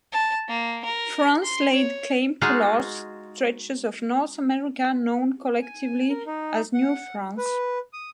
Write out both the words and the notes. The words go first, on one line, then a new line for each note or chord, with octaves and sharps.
France laid claim to large stretches of North America, known collectively as New France.
A5
A#3
A#4
C6
C#5
G#3 D#4 F4 F#4 G#4
G#5
A#4
D#4
F#5
B4
D#6